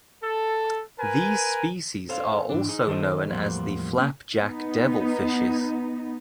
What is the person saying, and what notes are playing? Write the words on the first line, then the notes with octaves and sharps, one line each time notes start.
These species are also known as the flapjack devilfishes.
A4
A#4 B4 G#5
A4 C5 C#5 F5
G#2 E3 D4
D#4 G#4
D#3 A4 C5 D#5
E2 A2 F3 G3 A#3 F#5
A#3 C#4
B3 D#4